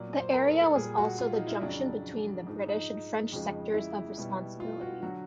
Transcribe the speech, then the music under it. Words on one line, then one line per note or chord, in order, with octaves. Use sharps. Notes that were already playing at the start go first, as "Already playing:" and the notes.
The area was also the junction between the British and French sectors of responsibility.
Already playing: A#2 F#3 D5
C5
A#4
A4
A4
A#2 G3 G#4
F#4
F4
D#4
E4
F2 C#3 F#3 D4
G#2 F3 G#3 D#4
D#4
F2 C#3 F3 G#3
E4
B2 G3
F4
F#4
D3 F#3 F#4